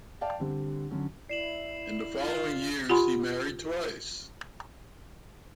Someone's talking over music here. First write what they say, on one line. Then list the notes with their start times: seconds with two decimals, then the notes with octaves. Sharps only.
In the following years he married twice.
0.21 D5 F5 G5 A5
0.39 D3 G3 C4
0.91 D3 F#3 C#4
1.29 E4 D5 C7 E7 F#7
2.19 F4
2.89 F4 G4 F#5 G#5 B5 C6